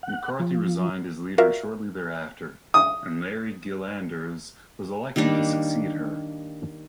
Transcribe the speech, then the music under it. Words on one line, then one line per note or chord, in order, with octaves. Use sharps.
McCarthy resigned as leader shortly thereafter, and Larry Gillanders was elected to succeed her.
F#5
F3
F4 F#4 A#4 D5 E5 F5
D#6
D#3 G3 A#3 D4